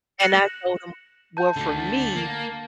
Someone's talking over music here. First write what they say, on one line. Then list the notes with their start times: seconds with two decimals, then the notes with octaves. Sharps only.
And I told him, "Well, for me,
0.20 F#6 A#6 C#7 E7 F#7
1.37 A5 G6
1.57 D2 D3
1.80 A6
2.16 A#3